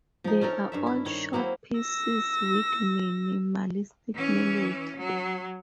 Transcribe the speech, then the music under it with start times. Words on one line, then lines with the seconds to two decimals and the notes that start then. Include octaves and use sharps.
They are all short pieces with minimalistic melody.
0.24 F3 D#4
0.41 C#4 D#4 A4 A#4
0.72 G2 C#4 E5
0.87 E4
1.05 D#3 C#5
1.33 F#3 A#3 C4 E4
1.79 E6 A#6
4.14 E3 C#4
4.97 F#3